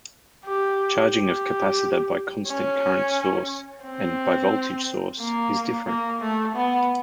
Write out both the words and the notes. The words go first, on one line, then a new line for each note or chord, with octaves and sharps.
Charging of capacitor by constant current source and by voltage source is different.
G4
G4
C#4
C4
A#3
A#3
A3
B3